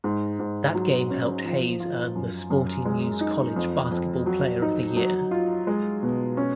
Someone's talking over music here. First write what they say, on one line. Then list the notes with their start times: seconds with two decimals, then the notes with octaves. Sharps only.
That game helped Hayes earn "The Sporting News" College Basketball Player of the Year.
0.04 G#2
0.39 G#2
0.75 F#3
1.10 C#4
1.45 F3
1.80 F4
2.15 F#2
2.50 F#2
2.85 G#3
3.21 D#4
3.56 F2
3.91 F2
4.26 F#3
4.62 D#4
4.97 F#3
5.31 F4
5.67 G#3
6.03 B2
6.37 C#4